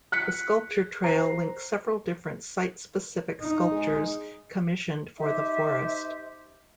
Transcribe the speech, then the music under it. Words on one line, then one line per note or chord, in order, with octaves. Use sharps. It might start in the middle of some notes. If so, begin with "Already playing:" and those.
The Sculpture Trail links several different site-specific sculptures commissioned for the forest.
F#6 B6 C#7
G#4
C5 A#5 C7
D#4
G#3
D#4 G4 C5 E5